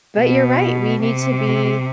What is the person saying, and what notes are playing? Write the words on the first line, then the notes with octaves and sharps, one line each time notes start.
But you're right. We need to be,
B2
C3